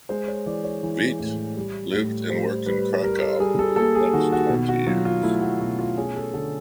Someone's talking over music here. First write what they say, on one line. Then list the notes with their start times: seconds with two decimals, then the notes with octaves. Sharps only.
Veit lived and worked in Krakow for the next twenty years.
0.09 G#3 C5
0.28 C#5
0.46 E3 D5
0.64 C#5
0.83 E3
1.20 A2
1.57 G3
1.93 A2
2.30 G3 C5
2.66 G3 B4
3.03 G3 A#4
3.22 A4
3.40 G3 G#4
3.59 A4
3.76 A#3 A4
3.95 G#4
4.13 D#3 F#4
4.32 F#4
4.50 B2
4.69 F#4
4.87 F#3 F4
5.05 F4
5.23 A3 E4
5.42 F#4
5.60 B2 F#4
5.79 F4
5.97 C#4 G#4
6.16 A4
6.34 D3 A4